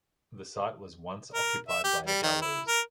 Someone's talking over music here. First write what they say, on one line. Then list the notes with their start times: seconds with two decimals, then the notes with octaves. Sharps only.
The site was once occupied by a gallows.
1.34 A#4
1.69 E5
1.84 G4
2.06 G3
2.23 D#3
2.42 E4
2.67 A#4